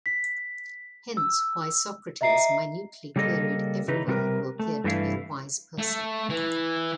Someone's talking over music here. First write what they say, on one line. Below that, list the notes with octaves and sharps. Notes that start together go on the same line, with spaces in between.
Hence why Socrates minutely queried everyone who appeared to be a wise person.
B6
E6
D#5 E5 A#5 C7
C#3 G3 A#3 A4 D5 D#5
C#3 E3 D#4 B4
C3 G3 F4 F#4 A#4 B4
A3
G2 E3 A3 E4 F5
A3
E3